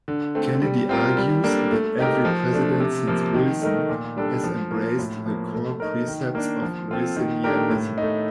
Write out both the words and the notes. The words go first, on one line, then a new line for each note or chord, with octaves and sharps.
Kennedy argues that every president since Wilson has embraced the core precepts of Wilsonianism.
D3
A3 C4
G3
C4 F4 A#4
G3
A#3 D4 A4
A3
D#4 G4 A#4
F3
A3 D4
C3
F3 A#3
D#3
A3 D#4 A#4
A#2
G3 D4 A4
F3
A#3 F4
A2
F3 A#3
A3
D#4 A#4
D#3
A#3 D4
F3
C4 F4 A4
D#3
A3 D4 G4 A#4
A2
A3 D#4